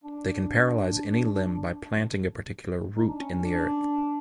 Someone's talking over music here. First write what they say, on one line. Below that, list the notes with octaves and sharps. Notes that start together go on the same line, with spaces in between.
They can paralyze any limb by planting a particular root in the earth.
D4
D#4
D4
C#4
C#4
D4